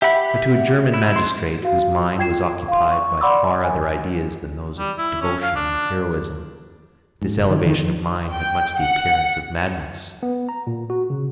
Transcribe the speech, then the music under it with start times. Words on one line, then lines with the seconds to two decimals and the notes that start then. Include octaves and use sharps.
But to a Genevan magistrate, whose mind was occupied by far other ideas than those of devotion and heroism, this elevation of mind had much the appearance of madness.
0.02 G4 E5 F#5 B5
0.94 E4
1.16 C6
1.63 F#4 F5
2.18 F4 G5 G#6 C7 E7
2.68 F5 C6
2.91 C#6
3.21 D5 F#5 B5 C6 D6 E6
3.64 G#5
4.79 G3
4.98 E4
5.22 C#4
5.43 F5
5.56 D4
7.22 G#2
7.37 F#1
7.50 D#3
7.66 D#3
7.78 F3
8.34 G5
8.80 F#5
10.23 B3
10.49 A#5
10.67 A#2
10.90 F#4
11.10 C#3